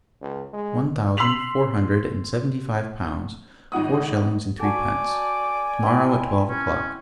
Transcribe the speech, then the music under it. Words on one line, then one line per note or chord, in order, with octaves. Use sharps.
One thousand, four hundred and seventy-five pounds, four shillings, and threepence, tomorrow at twelve o'clock.
C#2
G#3
C6 E6 B6 F7 F#7
G#1 D#4 F#5 D#6
F#4 A4 D5 G5 G#5 D6
C4 E4
C#4